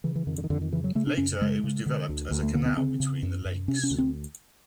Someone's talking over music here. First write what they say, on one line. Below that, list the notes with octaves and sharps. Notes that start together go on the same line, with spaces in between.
Later it was developed as a canal between the lakes.
C#3 E3
E3
F2 D#3
D3
D#3
F2 D3
D#3
C#3 E3
F#3
C#3 A3
D4
F#2 C#4
C#3 G#3
C#3
D3
D2
D2
A3
D3 A#3
B3
C#3 C4
C#3
F#2
F#2
C3 C#4
C#4
D2
C4